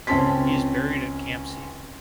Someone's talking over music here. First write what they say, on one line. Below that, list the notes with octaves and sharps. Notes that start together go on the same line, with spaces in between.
He is buried at Campsie.
C#2 C4 C#4 A5 C6 B6